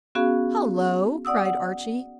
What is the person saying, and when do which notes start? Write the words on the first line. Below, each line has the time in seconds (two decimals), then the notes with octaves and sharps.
"Hullo!" cried Archy.
0.15 B3 C#4 F#4 G#4 F5
1.25 D5 F#5 D#6 E6
1.45 F#5